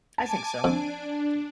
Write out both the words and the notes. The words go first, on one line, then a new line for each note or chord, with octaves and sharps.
I think so.
G#5 A5 D6
F2 D4